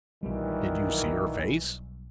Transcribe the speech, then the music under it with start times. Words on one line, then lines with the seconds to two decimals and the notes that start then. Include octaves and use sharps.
"Did you see her face?"
0.23 B1 A#2 D#3 E3 G3